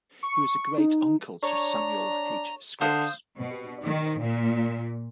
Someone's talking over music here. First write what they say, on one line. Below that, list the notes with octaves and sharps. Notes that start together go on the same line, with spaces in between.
He was a great uncle to Samuel H. Scripps.
C#6
D#4
D4 C#5 A#5
D3 C5 F5 D#6
B2
D#3
A#2